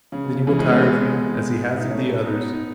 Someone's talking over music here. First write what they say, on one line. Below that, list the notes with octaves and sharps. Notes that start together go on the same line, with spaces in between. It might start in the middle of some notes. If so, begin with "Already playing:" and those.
Then he will tire of you as he has of the others.
C#3
B2
C#3
C#3 E3
E3 G#3
B3
F#3 A3
G#3 B3
E4
D#4
A3 C#4
B3 D#4
D#4